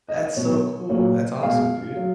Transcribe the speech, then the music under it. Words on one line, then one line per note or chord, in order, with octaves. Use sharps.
That's so cool. That's awesome, dude.
D#5
B2 F#3 C#5
A#2 F#3 C#5
B2 G#3 F5
F#3